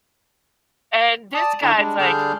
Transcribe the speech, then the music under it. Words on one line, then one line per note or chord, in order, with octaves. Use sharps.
and this guy's, like,
D5 A5 D#6
D3 D4 E4 A4 A#5
G3 G#3 D4
D3 G3 D4 G#4 F6 G6